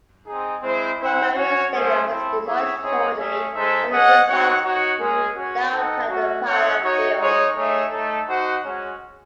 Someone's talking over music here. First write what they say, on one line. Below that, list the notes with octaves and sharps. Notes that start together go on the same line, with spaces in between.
War Memorial Stadium was demolished shortly after the Bisons moved downtown to Pilot Field.
C4 D#4 G#4
G#3 C4 E4 C5
E4 C5 F#5
C#4 F#4 C#5
A3 C#4 G#4 C5
C4 E4 A4
E4 G#4 C#5 E5
C4 D#4 G#4 C#5
A3 C#4 G#4 C#5 E5
G#3 D#4 A4 C5 E5
C#4 G#4 D#5 F#5
C4 D#4 F#4 C#5 F#5
D#4 F#4 C#5 F#5
G#3 C#4 G#4
C#4 F#4 C#5
D#4 A4 D#5 F#5
A3 C#4 F#4
C4 D#4 A4 C#5 F#5
D#4 F#4 C#5
G#3 D#4 G#4 C#5
A3 D#4 G#4 C#5 E5
A3 D#4 A4
D#4 F#4 C5 F#5
G#3 C#4 F#4 C#5